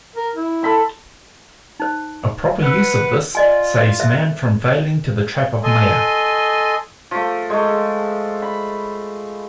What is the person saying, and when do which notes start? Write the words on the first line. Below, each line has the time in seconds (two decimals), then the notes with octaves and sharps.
A proper use of this saves man from failing to the trap of maya.
0.16 A#4
0.35 E4
0.63 A4 B5 C6
1.80 D#4 C5
2.62 B4 C5 F#5 E6
3.35 F4 D5 D#5 G#5
4.00 C5 E5
5.64 A4 D#5 G#5 C6
7.11 F3 A3
7.50 G#3 A3
8.42 B5